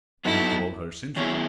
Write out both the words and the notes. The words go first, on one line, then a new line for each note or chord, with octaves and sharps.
"You call her Cynthia?"
F#3 B3 D#4 E4 F#4 A4
D#3 F#3 B3 C#4 E4 G#4